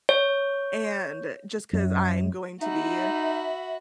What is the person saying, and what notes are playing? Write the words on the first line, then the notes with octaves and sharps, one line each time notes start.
And, just 'cause I'm going to be,
C#5
F#2
D#4 F#4 E5 B5